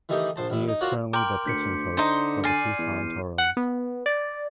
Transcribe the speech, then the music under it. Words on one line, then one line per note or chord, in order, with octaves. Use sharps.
He is currently the pitching coach for the Tucson Toros.
D#3 E3 A3 D#4 G4
A#1 C5 A5
A1 E4
D#4
F4 F#4 A#4 C#5 D5 F#5
A#4 G5 C6 D6
D2 G6 B6 C#7
D3 D#4 C5
D5 G#5 F6 C7 D#7
E2
F#5
B3
D5